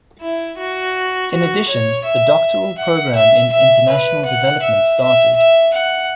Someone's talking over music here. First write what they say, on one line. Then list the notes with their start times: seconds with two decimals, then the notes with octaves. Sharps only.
In addition, the Doctoral Program in International Development started.
0.21 E4
0.58 F#4
1.31 F#4
1.68 C#5
2.04 E5
2.78 F#5
3.15 E5
3.52 E5
3.89 B4
4.25 F#5
4.63 E5
5.00 E5
5.36 E5
5.74 F#5